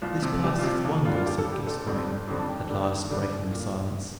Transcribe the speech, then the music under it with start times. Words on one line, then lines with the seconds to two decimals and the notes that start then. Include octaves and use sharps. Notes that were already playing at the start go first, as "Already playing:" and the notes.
"This passeth wonder," said Gascoyne, at last breaking the silence.
0.02 C2 F4
0.22 C3 F3
0.32 A4
0.43 C2 G4
0.59 F4
0.63 C3 F3 G4
0.84 D#2
1.05 D3 F4
1.09 G3
1.17 F4
1.26 D#2 G4
1.38 A4
1.45 D3 G3
1.52 G4
1.66 G1 A4
1.86 F2 D3 G3 C4
2.07 G1
2.27 F2 D3 G3 C4
2.39 A5
2.48 D#2 G5
2.69 D3 G3 D4
2.89 D#2
3.10 D3 G3 D4
3.31 C2
3.51 A#2